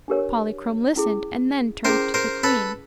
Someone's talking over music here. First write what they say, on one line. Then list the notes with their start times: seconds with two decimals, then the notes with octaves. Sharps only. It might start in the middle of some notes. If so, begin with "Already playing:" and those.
Polychrome listened and then turned to the Queen.
0.08 D4 G4 A#4 C#5
0.96 C#4 E4 G#4
1.85 C#4 E4 G#4 A#4 C5
2.14 A#4 C5
2.43 A4 B4